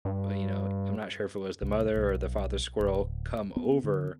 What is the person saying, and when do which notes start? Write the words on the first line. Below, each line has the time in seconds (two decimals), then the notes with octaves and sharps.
b you know, I'm not sure if it was the mother or the father squirrel come over
0.05 G2
1.63 C2
1.97 B1
2.80 D1
3.56 B3
3.84 D3